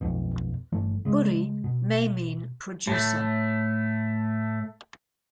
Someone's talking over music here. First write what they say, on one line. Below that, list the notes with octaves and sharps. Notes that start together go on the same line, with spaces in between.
"Buri" may mean "producer".
B1 F2 B2
G1 E3 A3
C#3 G#3
B2
A2 A3